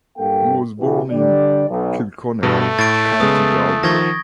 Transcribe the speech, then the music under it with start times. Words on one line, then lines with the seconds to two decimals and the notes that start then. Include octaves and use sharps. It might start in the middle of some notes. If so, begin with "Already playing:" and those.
He was born in Kilconnell, County Galway.
0.18 G2 A#3 A4 G5
0.79 B2 E3 G4
1.11 D3 G3 D4 D5
1.70 B1
2.43 G2 B2 A3
2.79 A2 A6 D7
3.20 C#3 G#3 B3 D#6
3.83 D#3 F3 C#6 G#6 A#6